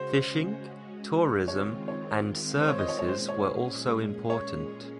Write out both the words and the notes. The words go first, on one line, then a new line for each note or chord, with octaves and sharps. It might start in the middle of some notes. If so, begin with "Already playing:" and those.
Fishing, tourism and services were also important.
Already playing: C#3 G#3 C#4 F#4 C5
D#3 G#3 C4 F4 C#5
C#5
C5
C#5
D#5
C#5
C#5
A#2 G#3 C#4 G#4 C5
C#5
C#5